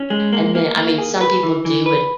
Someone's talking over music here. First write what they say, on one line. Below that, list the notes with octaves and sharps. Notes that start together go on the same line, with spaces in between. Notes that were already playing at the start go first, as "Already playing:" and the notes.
and then I mean, some people do and,
Already playing: C#4
G#3
A#3
A#3
A#3
G#4
B4
E3
E3
B4